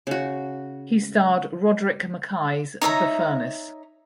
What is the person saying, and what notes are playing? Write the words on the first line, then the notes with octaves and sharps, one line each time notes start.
He starred Roderick Mackay’s "The Furnace".
C#3 F#4
D#4 C#5 E5 A#5